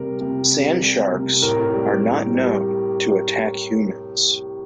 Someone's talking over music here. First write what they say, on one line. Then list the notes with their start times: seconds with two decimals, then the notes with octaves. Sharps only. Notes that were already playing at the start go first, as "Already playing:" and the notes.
Sand sharks are not known to attack humans.
Already playing: C3 G3 A#4
0.21 C3
0.52 G3
0.82 G3
1.12 C3
1.42 A2 A#4
1.73 G3
2.05 G3
2.35 G3